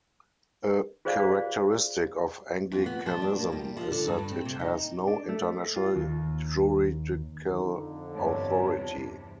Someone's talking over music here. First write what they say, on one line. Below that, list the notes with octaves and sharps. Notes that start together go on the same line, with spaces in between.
A characteristic of Anglicanism is that it has no international juridical authority.
F4 G#4 C5 D5 F5
F2
B3
F3
D4
A#3
G3
F3
D3
G2
C4
C3
D#4
D4
A3
F4
D#2
F2 D3 D#4
E2 G2 C3 C#5 A5